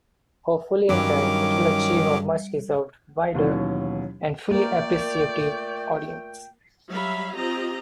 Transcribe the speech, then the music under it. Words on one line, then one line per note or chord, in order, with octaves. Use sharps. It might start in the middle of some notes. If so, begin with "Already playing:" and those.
Hopefully in time it will achieve a much-deserved wider and fully appreciative audience.
G2 D#3 F#3 C#4 D6
D#2 B2 E3 F#3 C#4
A#2 A3 A#3 A#4 D5 G5
F#3 G3 E5 F5 B5
C4 F4 G4 D#5 A#5